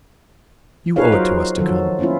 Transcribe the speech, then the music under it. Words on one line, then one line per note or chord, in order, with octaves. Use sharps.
You owe it to us to come.
D#4 F4 G#4 B4 C#5 F5
F#3 F4 F#4 A#4 C5
D#3 F3 F#3 A4
A#3 B3 C#4 E4 F4